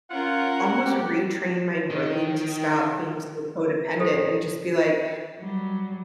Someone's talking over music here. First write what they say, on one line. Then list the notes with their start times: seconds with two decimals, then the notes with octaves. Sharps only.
almost retrain my brain to stop being so codependent and just be like,
0.10 C#4 F4 A#4 F#5
0.85 G4
1.90 D#3
3.99 G4 A4 C5
5.39 F#3 G3